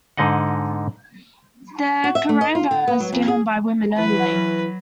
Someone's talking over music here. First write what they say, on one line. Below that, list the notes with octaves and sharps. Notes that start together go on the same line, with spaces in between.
The karanga is given by women only.
G#2 D3 D#4 D#5 F#5
F#4
E5
A3
D#5
F4
D3
B3
F#3
F2
G#4
E3 F#3 B4